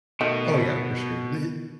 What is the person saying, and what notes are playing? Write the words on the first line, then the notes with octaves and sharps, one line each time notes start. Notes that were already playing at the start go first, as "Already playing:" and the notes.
Oh, yeah, for sure. The
B2 D#3 A3